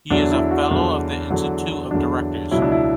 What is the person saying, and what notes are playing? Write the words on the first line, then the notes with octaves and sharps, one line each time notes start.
He is a Fellow of the Institute of Directors.
E2 D3 F#3 D4
E4
F#4
E2 D3 F#3 D4
E2 D3 F#3
E2 D3 F#3 D4
C#2 B2 F#3 E4
D4
E4